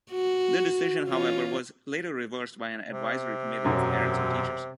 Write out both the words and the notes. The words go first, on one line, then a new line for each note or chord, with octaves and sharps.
The decision, however, was later reversed by an advisory committee of parents and teachers.
F#4
E3 C#4 F4
C3
E1 F#2 F#3